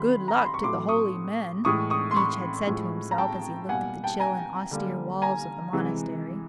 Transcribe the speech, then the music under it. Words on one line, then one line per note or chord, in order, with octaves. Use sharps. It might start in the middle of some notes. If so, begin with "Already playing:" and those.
"Good luck to the holy men!" each had said to himself as he looked at the chill and austere walls of the Monastery.
Already playing: D#3 F#3 A3 B5 C6
A#5
B5
C6
C#6
A2 F#3 A3 C6 D6
C#6 D#6
A2 E3 G#3 C#6 D#6
C#6 D#6
C6
B5 C#6
A2 F3 G#3
A#5
G5 A5
B2 G3 A#3 F#5 G#5
G5 A5
G#5 A#5
D3 G3 A#3
G#5 A#5
C3 E3 G#3